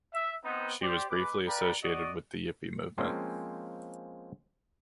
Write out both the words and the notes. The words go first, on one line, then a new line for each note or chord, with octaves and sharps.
She was briefly associated with the Yippie movement.
E5
B3 C4 D#4
G4 C5 D5
G#3 B4 D6
B4 D5 F5 G5 A#5 B5
F#4 D5 D#5
F3 G#3 A#3 C4 C#4